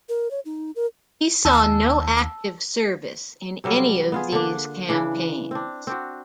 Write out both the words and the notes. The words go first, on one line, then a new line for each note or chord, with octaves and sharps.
He saw no active service in any of these campaigns.
A#4
C#5
D#4
A#4
D#2 A5 E6
C3 F#3 G3 A4
B3 F4 G#4
D3 A#3 D4
C#3 E3 D4
C4 D4
C4 D4 F#4